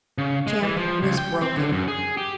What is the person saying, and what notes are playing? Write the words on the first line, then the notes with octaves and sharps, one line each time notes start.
Champ was broken.
C#3
G#3
E3
F3
C#2
G5
C4
D3
F#2
G#4
G4